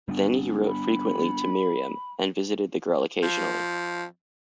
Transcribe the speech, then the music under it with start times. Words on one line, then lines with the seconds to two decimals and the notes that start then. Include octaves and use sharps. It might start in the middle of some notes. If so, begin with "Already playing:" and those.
Then he wrote frequently to Miriam, and visited the girl occasionally.
0.08 G3 B3 D4
0.68 B5
3.23 F3